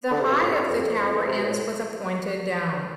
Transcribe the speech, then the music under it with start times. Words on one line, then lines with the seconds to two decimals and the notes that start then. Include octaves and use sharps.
The high of the tower ends with a pointed dome.
0.11 D3
0.21 C3
0.30 B2
0.40 A2
0.50 G2
0.69 F2
1.01 F2
1.14 E2
1.27 C3
1.36 B2
1.46 A2